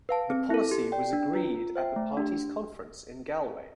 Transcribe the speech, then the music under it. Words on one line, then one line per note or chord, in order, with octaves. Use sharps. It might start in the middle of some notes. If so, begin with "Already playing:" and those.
The policy was agreed at the party's conference in Galway.
B4 F5 A5
C4
E4 A4
G4
D5 G5
D4
F4 B4
F4
C5 E5 G5
A3
D4 G4